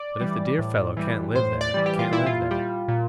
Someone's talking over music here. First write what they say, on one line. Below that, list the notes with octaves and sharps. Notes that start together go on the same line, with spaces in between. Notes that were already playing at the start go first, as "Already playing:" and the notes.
But if the dear fellow can't live there, he can't live there.
Already playing: D5
E3 G3
A2
E3 G3
A2 C5
D5
E3 G3
G4
F4
A#2 E4
F4
G3
A#2